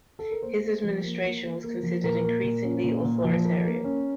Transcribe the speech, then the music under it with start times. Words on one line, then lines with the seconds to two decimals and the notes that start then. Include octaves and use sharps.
His administration was considered increasingly authoritarian.
0.19 A4
0.31 A#4
0.43 A#3 C5
0.63 A#3
0.83 F3
1.03 A#3
1.23 A#3
1.43 A#3
1.64 A#3
1.83 F3
2.04 A#2 A#4
2.24 A#3
2.44 A#2
2.64 C#4
2.84 A#2
3.04 A#2
3.24 F3
3.45 A#3
3.64 A#3
3.84 C#4